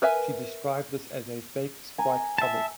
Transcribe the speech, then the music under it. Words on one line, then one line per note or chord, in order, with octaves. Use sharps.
She described this as a "fake" sprite comic.
A#4 B4 E5 G#5
G#5 A#5
E5 A5